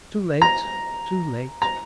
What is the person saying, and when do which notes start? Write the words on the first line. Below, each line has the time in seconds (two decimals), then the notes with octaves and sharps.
Too late!--too late!
0.42 A#5
1.62 A#5